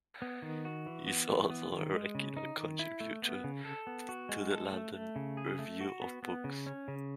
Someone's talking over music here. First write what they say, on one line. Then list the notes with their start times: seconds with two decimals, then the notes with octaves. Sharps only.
He is also a regular contributor to the "London Review of Books".
0.22 B3
0.42 D#3
0.65 F#4
0.86 E3
1.07 B3
1.29 E3
1.50 B3
1.72 D#3
1.93 G#3
2.15 C#3
2.37 D#4
2.57 D#3
2.79 E4
3.00 A3
3.22 B3
3.44 C#3
3.65 A4
3.87 B3
4.09 F#4
4.29 G#3
4.51 A4
4.73 A3
4.94 A3
5.16 C#3
5.37 G#4
5.59 A3
5.81 F#4
6.02 B3
6.23 B3
6.44 C#3
6.66 C#4
6.88 C#3